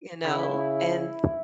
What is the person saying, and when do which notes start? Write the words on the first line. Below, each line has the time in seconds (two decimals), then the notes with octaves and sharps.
you know, and
0.25 C#3 E4